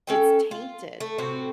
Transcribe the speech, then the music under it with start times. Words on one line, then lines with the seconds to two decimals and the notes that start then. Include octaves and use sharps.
it's tainted
0.07 C#4 A4 G5
0.51 F4
1.00 A3
1.18 A2 C3 C4 F#4